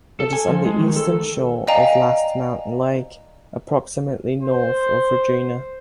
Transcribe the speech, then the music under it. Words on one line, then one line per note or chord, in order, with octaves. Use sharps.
It is on the eastern shore of Last Mountain Lake approximately north of Regina.
A4
G#5
F3
G#3
D#3
A4
D5 D#5 F5 G5 G#5 A#5
C5